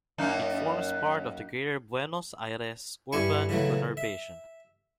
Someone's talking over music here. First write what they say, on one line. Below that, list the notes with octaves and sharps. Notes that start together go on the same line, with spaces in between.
It forms part of the Greater Buenos Aires urban conurbation.
F#2 A#3 D#4
G2 G3 E4 G#5 C#6
C#3 E3 F#3 A3
E5